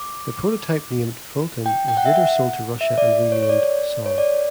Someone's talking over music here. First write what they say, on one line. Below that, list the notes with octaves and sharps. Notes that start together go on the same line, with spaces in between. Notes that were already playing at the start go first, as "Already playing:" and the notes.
The prototype, named "Fulton", was later sold to Russia, and renamed "Som".
Already playing: D6
G5
G5
F#5
E5
F#5
E5
D5
C#5
C#5
D5
C#5
D5